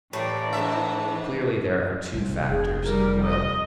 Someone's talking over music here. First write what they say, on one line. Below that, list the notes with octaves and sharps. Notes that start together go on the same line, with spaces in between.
Clearly there are two factors in will.
A2 E3 A3 A#3 G4 D5
G#2 D4 E5
C2
F1 G#4
G3 A#4
D#5